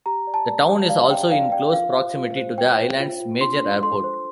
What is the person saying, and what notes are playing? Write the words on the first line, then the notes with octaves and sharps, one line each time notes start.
The town is also in close proximity to the Island's major airport.
G4 A#5
D5
A5
D5
G4
D5 F5
D5 G5
D5 F5
D5 G5
F4 F5
C5
F4
C5
C5 G5
C5
F4
F4
D4 C6
D4
A4 C6
C5